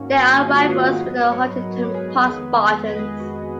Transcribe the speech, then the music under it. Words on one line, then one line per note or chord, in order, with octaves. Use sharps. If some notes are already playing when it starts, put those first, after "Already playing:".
They are rivals with the Huntington Park Spartans.
Already playing: G#2 D#3 A#3 C#4 F#4
F4 G#4
D#5 F#5
C#5 F5
B4 D#5
G#2 F#3 B3
A#4 C#5
G#4 B4
G#4 B4
F2 D#3 G#3 B3 G#4 B4
B4 D#5
G#4 B4
F#4